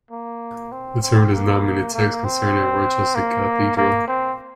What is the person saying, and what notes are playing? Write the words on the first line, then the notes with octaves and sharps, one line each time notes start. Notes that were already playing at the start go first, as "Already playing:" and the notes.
The term does not mean a text concerning Rochester Cathedral.
A#3
C4
C4
A#3
A#3
C4
A#3
A#3
C4